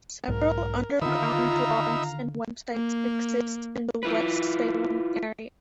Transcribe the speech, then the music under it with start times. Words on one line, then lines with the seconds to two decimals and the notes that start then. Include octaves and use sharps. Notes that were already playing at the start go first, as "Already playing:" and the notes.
Several underground blogs and websites exist in the West Salem area.
0.28 B1 G#2 A#4
1.01 D3 D#3 D#4 F4 E5 F5 A#5 B5
2.73 A#3
4.03 E4 F4 B4